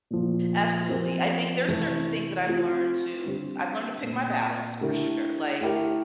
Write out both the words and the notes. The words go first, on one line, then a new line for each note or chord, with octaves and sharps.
Absolutely, I think there's certain things that I've learned to I've learned to pick my battles for sure. Like,
A#2 F3 A3
F3 C4 F4 A#4
C3 E3 A3
A3 C4 F4
D3 G3 C4 G4 C5
A#2 A3 C4
D3 A3 E4 G4 A#4
A3 E4 G4 A#4